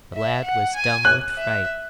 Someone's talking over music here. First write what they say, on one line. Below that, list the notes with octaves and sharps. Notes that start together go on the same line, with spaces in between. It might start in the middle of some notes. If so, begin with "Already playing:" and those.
The lad was dumb with fright.
E5
F#5
G#5
F#6
E5